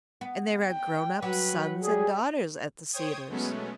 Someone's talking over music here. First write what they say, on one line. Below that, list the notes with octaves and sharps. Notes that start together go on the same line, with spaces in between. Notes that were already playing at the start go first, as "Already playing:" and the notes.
And there are grown-up sons and daughters at the Cedars.
B3
G5
F#3 B4
G3 G#4
C5 C#5 G5 D#6 G#6
B2 F#3 G#3 A3 B3 C#4